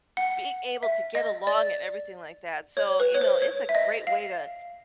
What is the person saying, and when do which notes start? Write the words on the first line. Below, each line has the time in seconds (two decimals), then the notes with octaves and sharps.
being able to get along and everything like that so, you know, it's a great way to
0.17 F#5
0.83 E5
1.15 D#5
1.47 D5
2.77 C#5
3.00 B4
3.14 C#5
3.21 C5
3.42 C#5
3.69 E5
3.75 D#5
4.07 F5